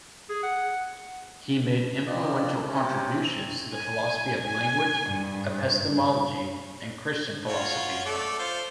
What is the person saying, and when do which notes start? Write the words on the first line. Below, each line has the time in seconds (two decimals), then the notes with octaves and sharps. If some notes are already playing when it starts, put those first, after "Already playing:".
He made influential contributions to the philosophy of language, epistemology, and Christian philosophy.
0.29 G#4
0.43 F#5
2.06 F2 D5 D#5
2.68 C3 C#4
3.74 G#5
4.40 G#5
5.11 G2
7.48 F4 F#4 C#5
8.05 A3 A4 D5
8.39 F4 C5